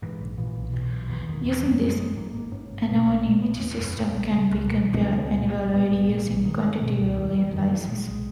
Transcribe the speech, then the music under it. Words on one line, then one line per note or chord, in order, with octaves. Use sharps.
Using this anonymity systems can be compared and evaluated using a quantitatively analysis.
G#2 E3
A#1
A#2 E3
B1
B2
B1
D#2 E3
E1 D#3
E2 E3
F#1 F#3
F#2 G#3
F#3
G#1 G#3
G#2 A#3
G#1 A#3
G#2 C#4
G#1
B2 B3
B1 C#4
A#2 C#4
A#1 B3
E2 C#4
F#1 B3
A#2
A#1
C#3
C#2
B2 A#3
F#3
C#2 D#3
C#4
C#3 B3
C#2
A#2
A#1
G#2 B3
A#1 B3
A#2 A#3
B1 E3
G#2 D#3
G#1
B2
C#2
E2 D#3
E1 E3
F#2 D#3
G#1 E3
F#3
A#2 G#3
B1 G#3